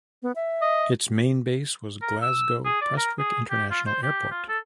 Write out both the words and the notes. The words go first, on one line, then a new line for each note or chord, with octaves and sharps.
Its main base was Glasgow Prestwick International Airport.
B3
E5
D#5
A#4
E6
G#4
D5
A#4
G#4
G4
F4
C5
G4
F4
A4